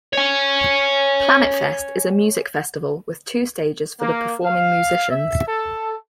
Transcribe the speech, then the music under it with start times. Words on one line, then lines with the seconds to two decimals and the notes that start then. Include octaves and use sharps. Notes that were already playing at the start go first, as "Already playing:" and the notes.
Planetfest is a music festival with two stages for the performing musicians.
0.13 C#5 G#5
3.99 A#3
4.44 F5
5.10 E5
5.46 A4